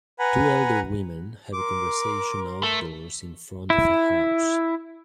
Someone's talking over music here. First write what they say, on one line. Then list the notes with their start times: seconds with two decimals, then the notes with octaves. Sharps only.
Two elder women have a conversation outdoors in front of a house.
0.19 B4 F#5 G#5 A#5 B5
1.53 A#4 C6 D6
2.63 A3
3.70 E4